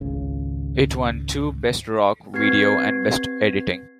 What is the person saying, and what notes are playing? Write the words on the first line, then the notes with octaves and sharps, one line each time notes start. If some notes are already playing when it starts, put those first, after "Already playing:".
It won two, Best Rock Video and Best Editing.
G#1 C#2 C#3
C4 G4 B4 G#6 C7